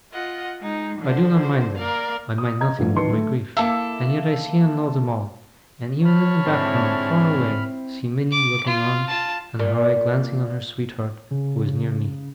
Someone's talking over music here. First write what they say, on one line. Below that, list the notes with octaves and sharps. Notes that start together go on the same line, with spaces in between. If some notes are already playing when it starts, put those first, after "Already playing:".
I do not mind them--I mind nothing but my grief--and yet I see and know them all; and even in the background, far away, see Minnie looking on, and her eye glancing on her sweetheart, who is near me.
F4 D#5 F#5
G#3 D#4
D3 F3 C5
A#3 A#4 D5 F5
D#6
D#5 A#5 G#6
G2 D3 F3 A3
D1 D#3 B4 A5 C6 C#7
A3
A#3 E4 A4 F5 D6
C#5 A5 B5 F6
G#2 D3 C4 E4
D6
F4
F4 A5
A#2
C#3